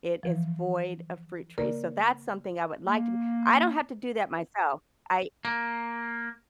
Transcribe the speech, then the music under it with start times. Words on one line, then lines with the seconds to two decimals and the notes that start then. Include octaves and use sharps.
it is void of fruit trees. So, that's something I would like to be I don't have to do that myself. I
0.23 E3 F3
1.58 C#3 A#3 A#4 D5
2.85 A#3
5.45 A#3